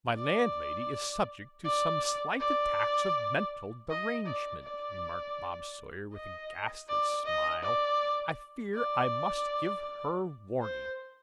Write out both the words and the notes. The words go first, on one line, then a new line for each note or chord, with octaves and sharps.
'My landlady is subject to some slight attacks of mental derangement,' remarked Bob Sawyer, with a ghastly smile; 'I fear I must give her warning.'
D5
D5
D5
D#5
D5
D5
D#5
D5
D#5
D5
D5
C5